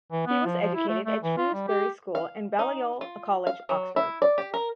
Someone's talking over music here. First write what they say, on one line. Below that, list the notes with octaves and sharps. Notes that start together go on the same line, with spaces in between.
He was educated at Shrewsbury School and Balliol College, Oxford.
E3
B3
F3
F3
E4
A3
A3
E3
F4
G3
G4
F5
D#4
F4
F5
F#3
E4
D5
G4
A#4